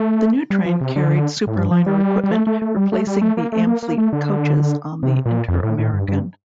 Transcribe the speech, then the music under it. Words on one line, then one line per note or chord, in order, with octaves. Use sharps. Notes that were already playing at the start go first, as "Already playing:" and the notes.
The new train carried Superliner equipment, replacing the Amfleet coaches on the "Inter-American".
Already playing: A3
G3
F3
C3
D3
A2
G2
F3
G3
G3
A3
A3
A3
G3
A3
G3
A3
A#3
A3
A#3
A#3
A3
D3
C3
A#2
F2
A2
A2
G2
G2